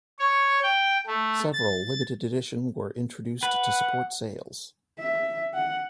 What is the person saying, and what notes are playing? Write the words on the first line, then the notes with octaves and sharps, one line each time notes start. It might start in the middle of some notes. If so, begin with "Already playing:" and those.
Several limited edition were introduced to support sales.
C#5
G5
A3
A6
B4 F#5
E5
F#5